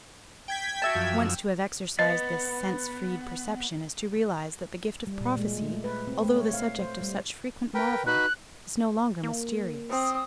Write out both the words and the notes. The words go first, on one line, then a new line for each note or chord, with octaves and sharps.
Once to have exercised this sense-freed perception is to realize that the gift of prophecy, although the subject of such frequent marvel, is no longer mysterious.
G5 G#6 B6
F#4 E5 A5
F#2 F3 E6
B3 D#5 A6
G3
A#2
G#3
A3
B4
C4
A3
C#5
F5
C5
G3
A#4 B4 G5
D#4 F#4 B4 F#6
A#3
C4 D#6